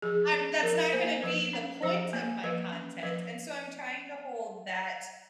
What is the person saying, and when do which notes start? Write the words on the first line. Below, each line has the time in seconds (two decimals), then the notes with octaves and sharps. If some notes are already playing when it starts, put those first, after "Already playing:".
I'm that's not gonna be the point of my content, and so I'm trying to hold that
0.02 F3 G#4
0.33 C#4
0.62 F3 A#4
0.92 A#3 C5
1.22 F3 B4
1.53 C#4
1.82 F3 C5
2.13 A#3
2.44 F3 B4
2.73 C#4
3.03 F3 B4